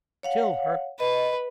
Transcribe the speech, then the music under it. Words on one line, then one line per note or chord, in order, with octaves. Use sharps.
Kill her!
C#5 F5 F#5
B4 D#5